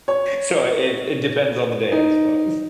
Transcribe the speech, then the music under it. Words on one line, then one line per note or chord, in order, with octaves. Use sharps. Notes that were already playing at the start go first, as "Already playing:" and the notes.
so it it depends on the day, I suppose.
C#5
D#4